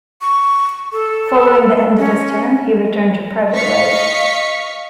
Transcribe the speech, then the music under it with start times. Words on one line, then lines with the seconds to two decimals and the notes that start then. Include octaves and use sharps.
Following the end of his term he returned to private life.
0.21 C#6
0.92 A4
1.99 C#4
3.54 D#5 F5 C#6 B6 C#7